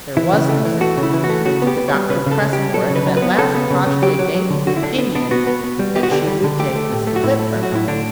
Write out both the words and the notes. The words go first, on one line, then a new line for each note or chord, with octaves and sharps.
There was no saying; but the doctor pressed for it, and at last Crossjay gave his opinion that she would take Mr. Whitford.
E3 E4
C#3
A3
E3
A3 F#4
C#3
E4
E3
F#4
A3
C#3 F#4
B3
G4
B3
C#5
G3
C#3 B4
C#3
A4
C#3
G4
G3
F#3 A4
C#3
B4
F#3
B4
B3
C#3 A4
B3
C#3
C#3
F#3 G4
F#3
F#3
D3
D3 F#4
E4
D3 D4
B3
B3 D4
B3 F#4
B3
B3
G3
B3 G4
F#4
D3 G4
G3
D3
A3 G4
A3
A2
A3
F#4
A2 E4
A3
F#3
F#4
A2 E4
D3 D4